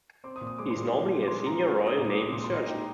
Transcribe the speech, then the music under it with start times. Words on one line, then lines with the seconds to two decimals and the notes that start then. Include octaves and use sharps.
He is normally a senior Royal Navy surgeon.
0.24 C4 D6
0.36 D#6
0.41 A#2
0.47 D#6
0.58 G#3 D6
0.71 C6
0.76 A#2
0.94 G#3
1.11 C4
1.23 D6
1.28 G#3 C6
1.46 F4 A#5
1.63 D#4
1.81 D#4
1.87 D#6
1.98 A#2 D6
2.05 D#6
2.10 D6
2.15 G#3
2.21 D#6
2.33 A#2 D6
2.44 C6
2.50 A#2
2.56 D#5
2.67 D#4 G5